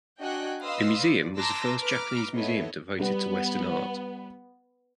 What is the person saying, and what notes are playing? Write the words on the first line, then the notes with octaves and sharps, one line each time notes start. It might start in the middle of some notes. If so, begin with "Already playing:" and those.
The museum was the first Japanese museum devoted to Western art.
D4 F#4 D#5 G5 G#5 F#6
B4 D#5 F5 C6 D#6 E6
D5
A5 A#5 C6 D6 E6 A#6
B4 A#5 D6 F6
B3 E4 A4 C#5 D#5
G3 B3